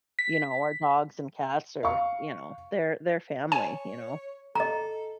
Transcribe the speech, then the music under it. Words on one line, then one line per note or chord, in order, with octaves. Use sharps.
you know, our dogs and cats are, you know, they're they're family, you know?
B6
F5 C#6
C#5 G#5
A4 D#5 A#5